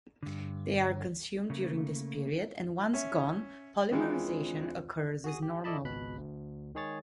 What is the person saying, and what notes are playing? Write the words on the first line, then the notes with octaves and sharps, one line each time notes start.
They are consumed during this period and once gone polymerisation occurs as normal.
G2 D3
C#3 A3 A#3
C#4 E5
D#3 E3 G#3 C4 D4 F4
F#4 G#4 D#6
G4
E4 A4 D5 D#5 A5 B5
G#1 C#2 B2 B5 F#6
D2
D#3 G#3 G#4 C#5 A6